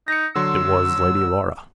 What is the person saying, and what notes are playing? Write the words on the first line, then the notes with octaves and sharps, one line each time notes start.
"It was Lady Laura."
D#4 A#6 C#7
D3 F#3 C6 E6